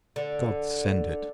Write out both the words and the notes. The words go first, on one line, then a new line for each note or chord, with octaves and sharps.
God send it!
D3